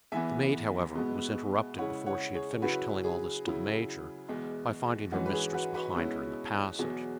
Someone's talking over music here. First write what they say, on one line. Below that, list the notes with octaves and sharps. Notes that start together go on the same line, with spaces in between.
The maid, however, was interrupted before she had finished telling all this to the major, by finding her mistress behind her in the passage.
E2 E3 B3 E5 G#5
B2 G#3 B3
C#3 G#3 E4 C#5 F#5
C#5 F#5
G#4 C#5
C#3 F#3 E4 F#4 B4
G#4
C#3 F#3 E4
E2 B2 G#3
G#2 E3 C#4 F#4
B4
G#4
F#4 B4
F#4 B4
B2 G#3 C#4 E4
E2 B2 F#3 G#4